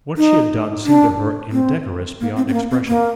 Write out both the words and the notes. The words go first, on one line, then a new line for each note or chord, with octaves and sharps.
What she had done seemed to her indecorous beyond expression.
D#4
D4
C4
A#3
C4
C4
A#3
C4
A#3